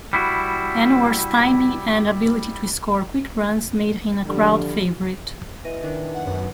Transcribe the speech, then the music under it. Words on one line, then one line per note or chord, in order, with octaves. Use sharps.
Anwar's timing and ability to score quick runs made him a crowd favourite.
G3 E4 F#4
D3 F3 G3
E3 D#5
D#3 D4
F#5
F#2 B3